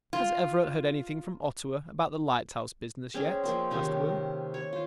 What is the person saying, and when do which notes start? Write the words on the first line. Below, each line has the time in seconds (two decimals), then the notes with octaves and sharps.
"Has Everett heard anything from Ottawa about the lighthouse business yet?" asked Will.
0.13 F4
3.14 C4 C#4 G#4 D5
3.44 F3 A#3 C4
3.70 C3 D#3 C#4 D#4
4.54 C#5
4.73 F4 C5